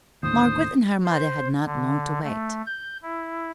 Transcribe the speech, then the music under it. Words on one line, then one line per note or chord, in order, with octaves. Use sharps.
Margaret and her mother had not long to wait.
D#2 A2 D3 C5 D#6
C5
D3
A3
G6
E4